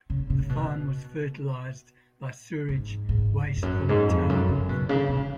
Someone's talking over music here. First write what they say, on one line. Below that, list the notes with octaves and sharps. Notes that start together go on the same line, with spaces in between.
The farm was fertilized by sewage waste from the town of Pullman.
C#3
C#3
B2
G#2
G#2
F2
F#2
G#2
F2
F#2
C#3
B2
C#3
C#3